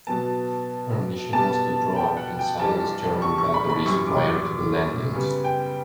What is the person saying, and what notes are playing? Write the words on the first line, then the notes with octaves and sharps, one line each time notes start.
Her mission was to draw out and silence German batteries prior to the landings.
B2 F#3 B3 A5
B2 G3 B3 A5
G5
F#5
G5
G2 E3 G3 A5
C#6
C#6
B5
B5
F#2 E3 G3 C#6
D6
D6
C#3 G3 B3
G5